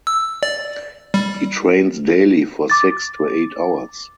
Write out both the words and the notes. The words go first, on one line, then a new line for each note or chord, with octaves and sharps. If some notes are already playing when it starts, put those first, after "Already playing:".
He trains daily for six to eight hours.
E6
D5
G3
D6 A6